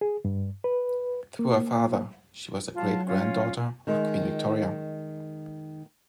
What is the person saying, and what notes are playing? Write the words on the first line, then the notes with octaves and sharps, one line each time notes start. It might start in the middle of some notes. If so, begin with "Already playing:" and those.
Through her father, she was a great-granddaughter of Queen Victoria.
G#4
G2
B4
A#3
F#3 F4 A5
C#4 F4
D#3 G#3